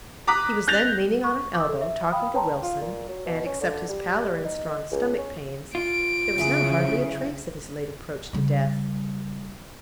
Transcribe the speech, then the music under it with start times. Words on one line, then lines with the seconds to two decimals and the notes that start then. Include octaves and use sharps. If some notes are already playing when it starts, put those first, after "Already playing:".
He was then leaning on an elbow, talking to Wilson, and except his pallor, and strong stomach-pains, there was now hardly a trace of his late approach to death.
0.27 A#5 D6 D#6 F#6 B6
0.68 F#6 G6 A6 A#6 F7
1.24 C#6
1.54 D6 E6
1.69 A4
1.81 E5
2.11 F5 G5 B5 D#6
2.34 B4 C#5 G5 A5 A#5 C6
2.63 F4
2.81 A#2
3.09 F#3
3.26 B2
3.46 C#4
3.61 D3
3.89 G3
4.45 D#4
4.92 C#2
5.18 C#4
5.75 F4 D7
6.38 C#3 F#3 E4 G#4
8.33 C#3 G3